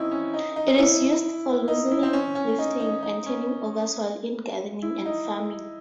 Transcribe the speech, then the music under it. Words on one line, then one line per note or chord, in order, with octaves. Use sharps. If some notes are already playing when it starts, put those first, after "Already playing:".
It is used for loosening, lifting and turning over soil in gardening and farming.
Already playing: C4 C#4 D#4 E4
C#4
D#4
D#4
E4
D#4
E4
C4
C#4
C#4
D#4
D#4
D#4
C#4
E4
D#4